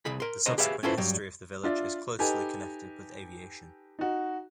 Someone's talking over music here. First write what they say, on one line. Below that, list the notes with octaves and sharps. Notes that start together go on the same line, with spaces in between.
The subsequent history of the village is closely connected with aviation.
C2 G#4 B5
A#4 C6
C2 B2 D3 C5 D#5 A#5
G4 G#4 B4 C#5 E5 F5
C#4 E4 F4 A4 B4 C5
G2 F#3 G3
D4 F4 D5 E5
D#4 G4 A4 B4 G#5
D#4 F#4